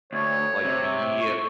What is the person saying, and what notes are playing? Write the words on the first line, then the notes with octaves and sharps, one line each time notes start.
like be
D2 C#5
C3
C#6